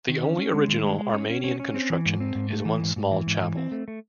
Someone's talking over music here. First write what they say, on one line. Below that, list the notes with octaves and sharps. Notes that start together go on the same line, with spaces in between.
The only original Armenian construction is one small chapel.
D#3
C#4
C#4
G#3
D#3
G#3
G#3
C#4
C#4
C#4
C#4
C4
E3
G#2
C4
G#2
A3
E3
G#2
G#2
E3
G#2
E3
C4
A3
A3